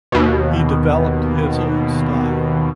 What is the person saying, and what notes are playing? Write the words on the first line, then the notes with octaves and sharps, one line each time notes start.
He developed his own style.
D#2 B2